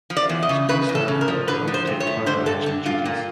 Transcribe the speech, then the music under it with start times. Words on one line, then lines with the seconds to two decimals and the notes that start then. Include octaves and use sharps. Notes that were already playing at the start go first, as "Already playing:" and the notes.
School staff had to undertake fire-watching duties.
0.10 F3
0.17 D5
0.29 E2
0.43 D#5
0.49 C#3
0.69 C#3 B4
0.89 E2
0.95 A4
1.08 C#3
1.21 A#4
1.28 F3
1.48 D3 B4
1.68 F3
1.74 C5
1.87 G2
2.00 C#5
2.07 A3
2.26 D3 C5
2.46 G2 A4
2.66 D3
2.85 G2 F4
3.05 A#2